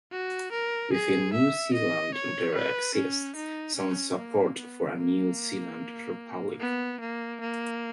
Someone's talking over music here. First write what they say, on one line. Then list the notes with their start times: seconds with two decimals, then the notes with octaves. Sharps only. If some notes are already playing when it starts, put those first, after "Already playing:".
Within New Zealand there exists some support for a New Zealand republic.
0.12 F#4
0.52 A#4
0.93 G#4
1.34 E5
1.74 D#5
2.14 C#5
2.55 B4
2.95 C#4
3.36 D#4
3.77 C#4
4.17 A#3
4.57 B3
4.99 A#3
6.60 B3
7.01 A#3
7.41 A#3